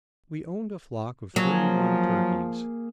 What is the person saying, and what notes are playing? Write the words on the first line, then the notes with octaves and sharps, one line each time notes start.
We owned a flock of thirty-one turkeys.
F3 F#3 A#3 G#4 G#5